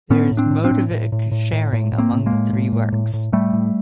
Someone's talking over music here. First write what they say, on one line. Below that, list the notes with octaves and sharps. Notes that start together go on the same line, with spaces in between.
There is motivic sharing among the three works.
A2 B3 C#4
A2
C4 D4
A2
C4 D4
A2
A2
A2
A2
A2
A2
A2
A#3 C4
A2
G#3 A#3
A2
A2
A2
A2
A2
A2 G3 A3
A2